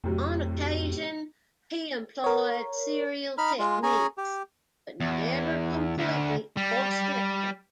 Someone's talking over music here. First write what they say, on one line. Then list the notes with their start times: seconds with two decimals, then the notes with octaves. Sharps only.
On occasion he employed serial techniques, but never completely or strictly.
0.04 F2 A2 C3 F#3
2.24 A#4 C#5
3.38 D#4 B5 F6
3.59 G#3 F4
3.83 C#4 G#4 G#5 A#5
4.18 G4
5.01 E2
5.99 D2
6.57 G3